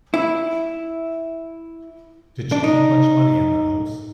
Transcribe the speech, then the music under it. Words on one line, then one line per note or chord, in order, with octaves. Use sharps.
Did she keep much money in the house?
E4
D4
D#4